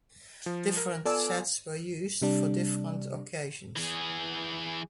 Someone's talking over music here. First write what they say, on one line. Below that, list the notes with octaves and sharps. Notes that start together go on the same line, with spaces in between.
Different sets were used for different occasions.
F3
A#4
B3 F4 A4 D5 G#5 E6
C3 G3 D4
E3 G#4